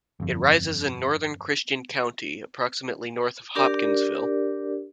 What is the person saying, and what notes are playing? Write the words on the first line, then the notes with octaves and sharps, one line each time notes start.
It rises in northern Christian County, approximately north of Hopkinsville.
G1 F2
D4 G4 A#4 D5